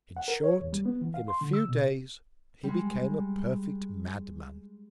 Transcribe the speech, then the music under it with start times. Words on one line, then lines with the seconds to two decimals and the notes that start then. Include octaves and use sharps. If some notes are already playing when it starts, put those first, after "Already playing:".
In short, in a few Days he became a perfect Mad-man.
0.17 F#5
0.28 A#4
0.44 C#5
0.61 E2
0.73 G3
0.86 B3
1.01 E3
1.14 F5
1.28 C6
1.41 D3
1.53 E6
1.68 B2
2.63 G3 G#3